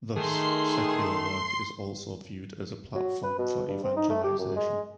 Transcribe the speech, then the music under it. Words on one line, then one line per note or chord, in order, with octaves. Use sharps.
Thus, secular work is also viewed as a platform for evangelization.
D#3 A3 G#4 C6 C7
F#3
B4
B2
G2
C4
D#4
A3
G4
F#2
G#3